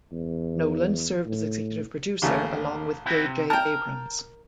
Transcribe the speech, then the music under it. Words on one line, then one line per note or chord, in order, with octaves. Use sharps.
Nolan served as executive producer along with J. J. Abrams.
E2
A2
A1 D#2 C#3 A3
C4 E4 F#4
C3
A#4 G5 A5